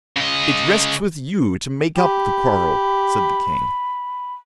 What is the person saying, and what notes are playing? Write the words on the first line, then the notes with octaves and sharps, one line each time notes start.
"It rests with you to make up the quarrel," said the King.
C#3 D#5
G4 B5